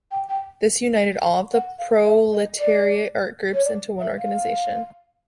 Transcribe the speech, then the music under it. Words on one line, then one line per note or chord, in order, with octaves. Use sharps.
This united all of the proletariat art groups into one organization.
G5
G5
F#5
F5
E5
D#5
D5
C#5
D5
E5
F5